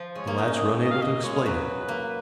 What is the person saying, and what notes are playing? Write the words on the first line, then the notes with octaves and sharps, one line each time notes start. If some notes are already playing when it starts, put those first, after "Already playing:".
The lads were unable to explain it.
Already playing: F3
G#3 C#5
A#3
D#4 D#5
C#4
D#5
D#5
F5
A#3 D#5
G#3 C#5
F#3 B4
A#3